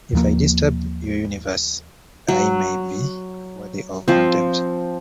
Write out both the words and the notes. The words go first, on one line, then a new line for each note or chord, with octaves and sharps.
If I disturb your universe I may be worthy of contempt.
D#2 F3 A#3
F#3
F3 C4